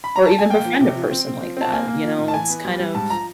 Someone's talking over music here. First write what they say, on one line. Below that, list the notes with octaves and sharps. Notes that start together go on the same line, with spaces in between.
or even befriend a person like that, you know, it's kind of
B5
A#5
A5
G#5
A#3 G5
F3
C3
F3
C4
C4
F3
C4 A5
A#3 G#5
A#3
F3
A2
A5
E3 G#5
B3
G3
G3
G#2 A5
F3 A#5